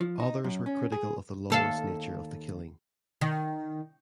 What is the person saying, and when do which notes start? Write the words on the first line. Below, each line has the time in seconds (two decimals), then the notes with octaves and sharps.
Others were critical of the lawless nature of the killing.
0.01 F3
0.20 D#4
0.44 F#2
0.66 C#4
0.92 G#4
1.50 D#2 A4 F5
3.21 D#3